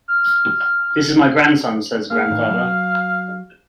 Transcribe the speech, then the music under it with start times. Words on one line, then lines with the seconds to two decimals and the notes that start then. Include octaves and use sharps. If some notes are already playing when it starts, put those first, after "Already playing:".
"This is my grandson," says Grandfather.
0.08 F6
2.11 A#3 G#4 F5
2.31 A2 D#3
2.49 F#3